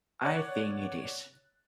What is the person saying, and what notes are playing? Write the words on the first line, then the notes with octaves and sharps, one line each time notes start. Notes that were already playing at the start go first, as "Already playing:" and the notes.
I think it is.
C#5 D5 F#5 F#6